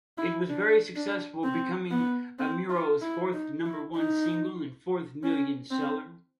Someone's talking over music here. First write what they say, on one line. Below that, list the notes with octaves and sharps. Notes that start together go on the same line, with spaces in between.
It was very successful, becoming Amuro's fourth number one single and fourth million-seller.
E4
D4
D4
C4
B3
C4
F4
E4
D#4
E4
D#4
C#4
C4